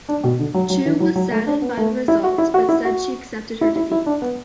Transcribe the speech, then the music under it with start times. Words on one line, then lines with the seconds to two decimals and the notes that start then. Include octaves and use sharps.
Chew was "saddened by the results", but said she accepted her defeat.
0.09 D4
0.24 B2
0.39 D3
0.54 F#3
0.70 F#3
0.86 E3
1.00 F#3
1.15 F#3
1.31 A3
1.47 D4
1.62 B3
1.77 A3
2.08 E4
2.24 F#4
2.38 E4
2.54 F#4
2.69 E4
2.85 F#4
3.61 E4
3.76 E4
3.91 E4
4.06 D4
4.22 B3